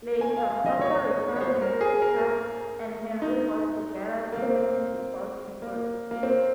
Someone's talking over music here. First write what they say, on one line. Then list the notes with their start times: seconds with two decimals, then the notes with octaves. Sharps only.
Later, after retirement, Kyser and Henry got together to share music world memories.
0.21 G#5
0.36 F5
0.50 F5
0.66 D#5
0.81 C#5
1.36 C#5
1.41 C5
1.62 A#4
1.81 G#4
2.02 A#4
3.22 D#4
4.32 A#3
4.42 C4
5.62 A#3
6.11 A#3
6.23 C4